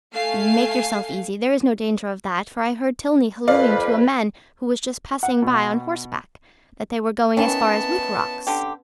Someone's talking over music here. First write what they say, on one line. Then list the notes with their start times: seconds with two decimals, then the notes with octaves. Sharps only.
"Make yourself easy, there is no danger of that, for I heard Tilney hallooing to a man who was just passing by on horseback, that they were going as far as Wick Rocks."
0.14 A3 F5 G#5 C7
3.48 F2 B4 D5 F5
5.23 F#5
5.42 B2
7.37 D#3 E3 B3 C#4 A5
8.47 D3 G4